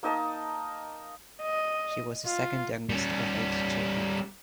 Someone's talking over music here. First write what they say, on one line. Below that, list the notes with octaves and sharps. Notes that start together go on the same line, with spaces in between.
She was the second youngest of eight children.
A#3 D#4 D#5 A5
D#5
F4
G3 C#4